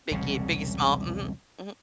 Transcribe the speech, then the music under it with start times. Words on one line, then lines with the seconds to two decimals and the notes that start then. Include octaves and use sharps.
Biggie, Biggie Smalls, mhm, mhm.
0.11 E1 C2 C#3